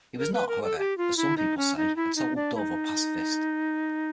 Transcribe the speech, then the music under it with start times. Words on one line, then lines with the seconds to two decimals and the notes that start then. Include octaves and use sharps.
He was not, however, as some people say, a total dove or pacifist.
0.18 A#4
0.33 B4
0.48 A#4
0.63 A4
0.78 G4
0.98 F4
1.17 E4
1.37 D#4
1.57 C#4
1.77 D#4
1.96 E4
2.16 D#4
2.36 D4
2.55 E4
2.59 D#4